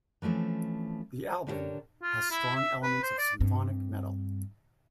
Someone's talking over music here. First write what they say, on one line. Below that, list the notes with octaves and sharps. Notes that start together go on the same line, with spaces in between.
The album has strong elements of symphonic metal.
E3 F3 A3 C4 C#4
D3 D4 E4 G4 A#4 C#5
F4
E4
E5
B4
C5
D5
G2 C4